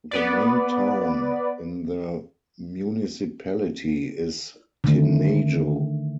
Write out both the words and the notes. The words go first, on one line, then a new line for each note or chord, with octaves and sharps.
The main town in the municipality is Tinajo.
B3 B4 D5
D3 D#3 A3